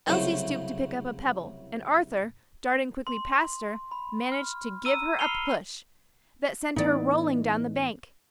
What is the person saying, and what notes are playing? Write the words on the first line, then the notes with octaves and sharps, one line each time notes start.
Elsie stooped to pick up a pebble, and Arthur, darting quickly past her, managed to give her a push that sent her rolling down the bank.
C2 C#3 F#3 A3 E4 C5
C6
B5
F6
A#5 E6 D#7
B5 F6 C7 C#7 F7 G7
A2 E3 B3 D#4 D5